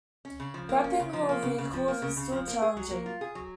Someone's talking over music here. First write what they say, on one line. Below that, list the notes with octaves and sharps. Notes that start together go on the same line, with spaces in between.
Wrapping whole vehicles was still challenging.
C#4
C#3
F3
A#3
C#4
C#3
F3
A#3
C#3
C#3
F3
A#3
C#3
C#3
F3
A#3
G#4
F#3
A#3
F4
G#4
F#3